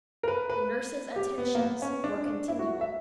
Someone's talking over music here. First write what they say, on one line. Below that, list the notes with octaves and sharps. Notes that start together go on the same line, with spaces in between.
The nurses' attentions were continual.
A#4
B4
B4
G4
B3
A#3
B3
C#4
D4
D4
E4
F#4
E5